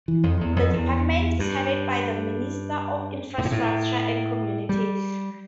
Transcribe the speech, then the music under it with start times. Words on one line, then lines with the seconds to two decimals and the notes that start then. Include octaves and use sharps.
The department is headed by the Minister of Infrastructure and Communities.
0.08 E3
0.23 F2
0.41 E2
0.56 F2
0.74 E2
1.39 G2
3.38 A2
3.45 A#2
3.52 A2
4.69 G3